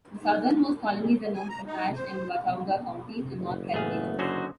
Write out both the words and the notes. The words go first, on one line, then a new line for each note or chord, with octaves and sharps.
The southernmost colonies are known from Ashe and Watauga Counties in North Carolina.
D#4
G#5
A#5
D#4
C5
F#1
A1 A3 B3 G#4 F5
D3 F#3 C#4 D#4 F#4 C5